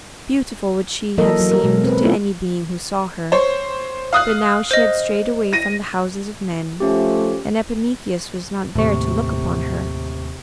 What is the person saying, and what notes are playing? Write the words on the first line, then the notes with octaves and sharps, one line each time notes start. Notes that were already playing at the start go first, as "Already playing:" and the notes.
Beautiful would she have seemed to any being who saw her, but now she had strayed away from the houses of men and Epimetheus was not there to look upon her.
E3 F#3 A#3 A4 A#4 D#5
F#3
A#4
B2 G#3
C4 B4
A3 B3 C#4 E4 F4 A4
C5 C#5
F5 D#6 F#6
C5 D#5
A#6 D#7
F3 A3 C#4 G4
D#2 A2 C3 C#6